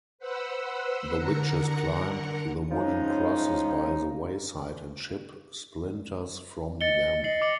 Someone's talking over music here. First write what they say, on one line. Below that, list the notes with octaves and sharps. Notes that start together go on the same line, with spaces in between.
The witches climb the wooden crosses by the wayside and chip splinters from them.
B4 C5 F#5 E6
D3 A#4 F#5 A#5 C#7
A2 C#3 F3 G#3 C#4 D#4
D#5 A6 C#7 G7
D#5 C7 F#7
D6 C#7 F#7